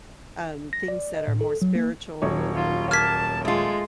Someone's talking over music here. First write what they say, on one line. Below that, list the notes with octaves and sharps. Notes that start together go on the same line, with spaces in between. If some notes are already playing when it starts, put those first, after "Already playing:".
um, things that are more spiritual and moving
A#6
D5
D#5
A2
A4
F#3
A#3
D#1 F#3 C#5
F4
A#3 A5 F6 G#6 B6
G#3 A3 F4